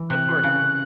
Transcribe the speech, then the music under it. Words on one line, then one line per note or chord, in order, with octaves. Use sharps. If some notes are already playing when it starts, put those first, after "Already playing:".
Of course.
Already playing: E3
C3 F#6
C#3